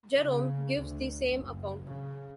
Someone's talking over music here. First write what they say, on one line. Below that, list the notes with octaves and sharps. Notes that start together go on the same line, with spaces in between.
Jerome gives the same account.
C#3
D2
F#1
C#3